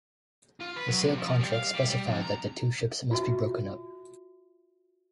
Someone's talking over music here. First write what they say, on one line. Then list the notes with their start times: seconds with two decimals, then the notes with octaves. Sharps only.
The sale contract specified that the two ships must be broken up.
0.61 F4
0.76 B4
0.88 F#3
1.01 C3
1.18 F3
1.40 G3
1.53 F5
1.74 G3
1.90 G3
2.06 F2
2.23 A#5
3.11 F4 F#4 E5